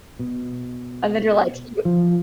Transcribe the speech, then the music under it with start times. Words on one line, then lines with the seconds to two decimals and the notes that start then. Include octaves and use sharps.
and then you're like you
0.19 B2
1.85 F3